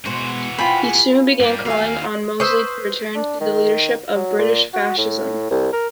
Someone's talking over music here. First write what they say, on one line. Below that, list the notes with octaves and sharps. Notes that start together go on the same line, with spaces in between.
He soon began calling on Mosley to return to the leadership of British fascism.
B2 E3 G#3 F#4 C5
C4 F4 G5 G#5 B5
G#4
G2 G3 A#3 C4
D#2 F#4 F5 G#5
B4 C5 C#6 D#6 E6
D4
D#3
F#3
A#2
F#4
A2
C2
A#4